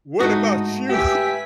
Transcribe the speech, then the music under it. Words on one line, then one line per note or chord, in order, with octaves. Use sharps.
What about you?
G#2 A3 D#4 F#4
G4 B4 E5 G#5 B6